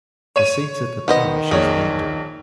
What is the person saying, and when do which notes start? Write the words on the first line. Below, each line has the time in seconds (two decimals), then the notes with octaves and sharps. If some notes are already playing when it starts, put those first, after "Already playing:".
The seat of the parish is Minden.
0.36 C#5 D#7
1.08 D#3 B3 C5 D#5
1.51 A#1 G#4 C#5